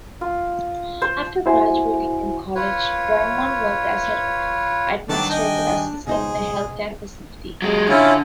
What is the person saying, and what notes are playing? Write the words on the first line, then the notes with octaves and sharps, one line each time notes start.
After graduating from college, Draiman worked as an administrative assistant in a healthcare facility.
F4
C5
E4 F#4 C5 G#5
F4 B4 C#5
D#3 F#3 G3 B3 D4 D5 A5
D#5 G5 G#5
C#2 B2 D#4 G#4 C5
F#3 G#3
D3 C#4 E4 F4